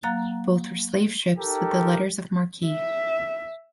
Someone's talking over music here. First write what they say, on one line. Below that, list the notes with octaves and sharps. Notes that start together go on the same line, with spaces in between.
Both were slave ships with letters of marque.
F#3 A#3 F5 A#5 F#6 A6
D#4 G4 A4 A#4 G5
E5